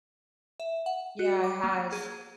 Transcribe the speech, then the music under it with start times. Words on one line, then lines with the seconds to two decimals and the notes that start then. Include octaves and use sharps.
Yeah, it has.
0.60 E5
0.86 F#5
1.19 F#4
1.44 D6
1.64 A#3
1.92 G#4